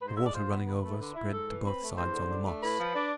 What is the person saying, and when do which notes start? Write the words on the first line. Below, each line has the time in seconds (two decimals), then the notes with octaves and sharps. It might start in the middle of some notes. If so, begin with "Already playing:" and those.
The water running over spread to both sides on the moss.
0.01 G#2 B4
0.08 C5
0.17 G#3 E5
0.25 D5
0.33 F4 C5
0.49 B3
0.65 D3 B4
0.83 A3
0.99 D3
1.14 E4
1.31 G#2 A4
1.48 E3
1.64 C4 B4
1.80 A3
1.96 E2 C5
2.12 D3
2.29 D4
2.45 A3
2.62 A2 B4
2.78 F3
2.94 D4